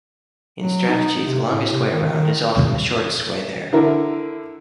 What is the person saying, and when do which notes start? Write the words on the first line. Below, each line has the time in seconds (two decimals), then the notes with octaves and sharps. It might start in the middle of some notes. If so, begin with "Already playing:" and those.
In Strategy the longest way around is often the shortest way there.
0.62 F#3
0.89 D#4
1.26 C3
1.49 A2
1.72 C3
1.92 D#3
2.11 D#3
3.73 D3 E4 A#4